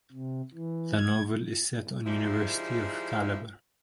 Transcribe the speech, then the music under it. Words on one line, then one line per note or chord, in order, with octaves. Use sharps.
The novel is set on University of Calabar.
C3
E3
G#6
G#2 F3 G3 G#3 D#4 E4